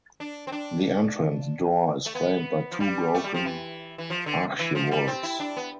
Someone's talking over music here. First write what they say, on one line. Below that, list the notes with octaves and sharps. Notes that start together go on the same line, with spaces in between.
The entrance door is framed by two broken Archivolts.
D4
C4
D4
A3
B3
F3
G3
A3
G3
F3
E3
E3
F3
D3
E3
F3
G3
C4
E4
D4
B3